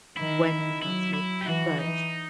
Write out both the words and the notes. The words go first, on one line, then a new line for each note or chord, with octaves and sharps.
when you have smoked, but
D#3 E4
F#3 E4
E4
G4
E3 F#4
D#4